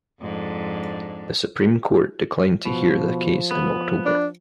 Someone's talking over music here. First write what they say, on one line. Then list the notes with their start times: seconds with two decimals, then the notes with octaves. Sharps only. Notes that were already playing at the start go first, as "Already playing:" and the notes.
The Supreme Court declined to hear the case in October.
0.21 F2 G#2 D4
2.65 B2 F3
3.51 B3
4.06 D4